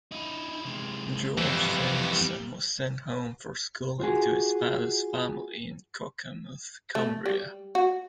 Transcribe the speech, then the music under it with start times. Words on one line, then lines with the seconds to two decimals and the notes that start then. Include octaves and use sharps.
George Sanderson was sent home for schooling to his father's family in Cockermouth, Cumbria.
0.11 D#4 E4
0.65 C3 G#3
1.38 F2 E3 G3
4.00 F4 F#4 G#4
6.95 A3
7.26 G3
7.75 F#4